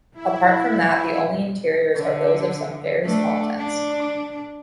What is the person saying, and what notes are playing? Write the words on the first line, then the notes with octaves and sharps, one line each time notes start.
Apart from that, the only interiors are those of some very small tents.
E4
D3
A3 D4
D4